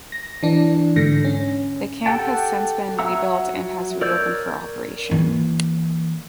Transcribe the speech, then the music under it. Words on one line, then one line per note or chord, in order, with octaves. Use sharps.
The camp has since been rebuilt and has re-opened for operation.
A#6
E3 D4
G#2 D3 A#6
C#4
G4 A4 F#5 G5 A5
F#3 E5 F#5 A#5 E6
A#4 C#5 D5 E6 G6
E3 A#3